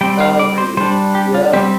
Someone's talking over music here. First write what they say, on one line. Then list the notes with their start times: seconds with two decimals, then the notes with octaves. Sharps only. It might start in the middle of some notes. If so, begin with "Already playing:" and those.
Agreed, yep.
0.01 G3 C4 G5
0.20 F5
0.39 D5
0.58 C5
0.77 G3 D4 C5
1.15 G4
1.34 F4
1.53 G3 C4 G4